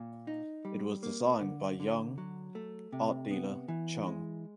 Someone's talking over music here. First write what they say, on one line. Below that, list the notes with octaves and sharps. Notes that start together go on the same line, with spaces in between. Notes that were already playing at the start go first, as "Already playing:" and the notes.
It was designed by Jung "Art Dealer" Chung.
Already playing: A#2
D#4
G3
A#3
D3
D3
F#3
A3
C3
B3
E3
G#3